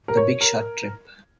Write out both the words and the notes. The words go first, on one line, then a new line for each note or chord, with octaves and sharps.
The Big Short Trip.
A#4
C#5
A#4